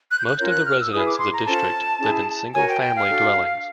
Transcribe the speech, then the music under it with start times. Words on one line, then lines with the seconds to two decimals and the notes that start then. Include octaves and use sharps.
Most of the residents of the District live in single-family dwellings.
0.11 F#6
0.19 G6
0.27 F#6
0.38 C#4 F4 A#4 C#5 G6
0.52 F#6
0.66 F6
0.78 E6
0.92 E4 G#4 B4 D#6
1.06 D6
1.20 C6
1.33 A#5
1.46 C#4 F4 A4 C5 A5
2.00 C#4 E4 G#4
2.54 F#4 A#4 C#5 G#5
2.68 G5
2.81 G5
2.94 F5
3.08 D4 F#4 A4